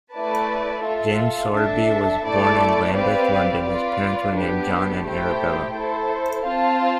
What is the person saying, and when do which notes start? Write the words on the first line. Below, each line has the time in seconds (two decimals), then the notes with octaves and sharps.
James Sowerby was born in Lambeth, London, his parents were named John and Arabella.
0.14 A3 E4 B4 D5 A5
0.84 F4 A4 E5
1.54 D4 A4 E5 A5
2.24 A3 E4 A4 D5 A5
2.94 C4 G4 B4 D5 F5
3.65 F4 B4 D5
4.35 B3 D4 G4 B4
5.05 A3 E4 G4 C5 G5
5.75 E4 A4 C5
6.46 C4 F4 C5 F5 A5